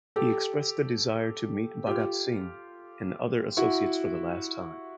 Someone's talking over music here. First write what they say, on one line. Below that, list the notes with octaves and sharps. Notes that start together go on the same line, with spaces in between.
He expressed the desire to meet Bhagat Singh and other associates for last time.
G4 A4
F4 G4
E4 F#4